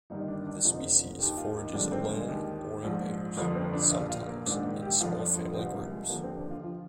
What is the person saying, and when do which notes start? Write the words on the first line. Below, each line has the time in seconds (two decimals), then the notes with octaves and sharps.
The species forages alone or in pairs, sometimes in small family groups.
0.10 G1 G2 D#3 D#4
0.28 D4
0.47 D4
0.64 F1 F2 D3 F3 D#4
1.19 D#2 D#3 G4
1.37 F4
1.55 D#4
1.73 G#1 G2 D3 F3 D4
1.92 C4
2.10 G#3
2.28 D#2 D#3
2.82 A#1 G#2 F3
3.37 G1 F2 D3 F3 A#3
3.55 C4
3.73 D4
3.91 A#1 A#2 F3 F4
4.09 F4
4.27 A#3
4.46 A#1 G#2 D#3 D4
4.64 D#4
4.82 G4
5.00 G1 F2 D3 F3 F4
5.19 D4
5.55 C2 C3 F3 C4
5.73 A#3
5.91 G#3
6.09 D#2 D3 F3 A#3
6.23 C4
6.37 D4
6.50 F4
6.64 F3 F4